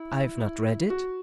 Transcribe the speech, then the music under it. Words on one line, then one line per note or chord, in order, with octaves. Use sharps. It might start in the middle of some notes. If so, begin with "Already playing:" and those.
"I've not read it."
Already playing: E4
F#4